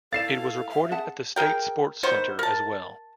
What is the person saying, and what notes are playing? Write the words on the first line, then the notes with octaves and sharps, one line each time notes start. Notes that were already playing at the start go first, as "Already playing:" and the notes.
It was recorded at the State Sports Centre as well.
E4 A4 D5 F5 A6 C7 E7
E5
G#4 F#5 A5
G#4 A#4 G5
D#3 B3 C5 C#6
A#4 A5